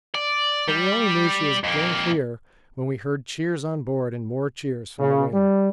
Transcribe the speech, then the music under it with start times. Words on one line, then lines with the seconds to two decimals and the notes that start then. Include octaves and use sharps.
But we only knew she was getting clear when we heard cheers on board and more cheers from the whaler.
0.15 D5
0.68 G3
1.64 F2 A#3
4.99 C#3
5.34 G3